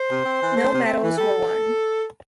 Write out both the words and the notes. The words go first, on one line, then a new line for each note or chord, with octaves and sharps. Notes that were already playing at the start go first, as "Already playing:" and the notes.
No medals were won.
Already playing: C5
C3
C4
E3
A3
C3
C4
E3
G3 A4